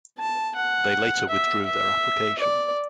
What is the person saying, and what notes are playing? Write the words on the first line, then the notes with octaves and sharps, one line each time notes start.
They later withdrew their application.
A5
F#5
E5
E5
D5